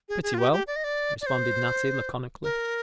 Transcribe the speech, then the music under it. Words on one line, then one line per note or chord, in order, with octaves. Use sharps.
"Pretty well," responded Natty laconically.
G#4
G#4
F4
G4
G4
D5
D#5
D5
D5
C5
A#4